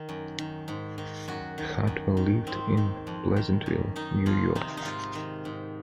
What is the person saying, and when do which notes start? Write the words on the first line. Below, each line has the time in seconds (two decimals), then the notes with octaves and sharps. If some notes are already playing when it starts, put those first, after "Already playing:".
Hartwell lived in Pleasantville, New York.
Already playing: D#3
0.09 F#2
0.39 D#3
0.68 G#2
0.98 D#3
1.28 F#2 F#4
1.58 D#3
1.87 F#2
2.17 D#3
2.47 G#2 C4
2.77 D#3
3.07 F2
3.36 D#3
3.66 F#2
3.96 D#3 D#4
4.26 F2 F4
4.55 C3 D#3 D#4
4.77 D#4
4.85 G#2 F4
5.15 D#3
5.45 G#2